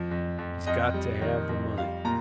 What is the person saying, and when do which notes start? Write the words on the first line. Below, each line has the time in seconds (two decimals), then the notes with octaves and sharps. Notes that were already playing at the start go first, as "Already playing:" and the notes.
He's got to have the money.
Already playing: F2 F3
0.11 F2
0.38 F2
0.67 F2 D#5
0.94 G3
1.22 D#3
1.49 F2
1.78 G3 F5
2.05 A#2 A#5